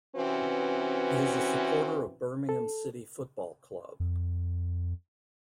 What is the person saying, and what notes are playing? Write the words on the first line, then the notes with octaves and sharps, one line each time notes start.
He is a supporter of Birmingham City Football Club.
C3 E3 C4 C#4 F#4 B4
A4
F2